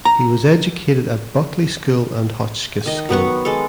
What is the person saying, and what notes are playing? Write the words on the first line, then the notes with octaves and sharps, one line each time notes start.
He was educated at Buckley School and Hotchkiss School.
A#5
D#3 D#5
F#3 B3 F#5 C#6
G#3 A4